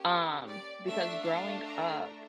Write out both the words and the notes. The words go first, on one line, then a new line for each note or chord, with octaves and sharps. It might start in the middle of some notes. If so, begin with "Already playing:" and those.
um, because growing up,
Already playing: A#3 C#4 G4
D5
A3 D4 A4 E5
F5
A#5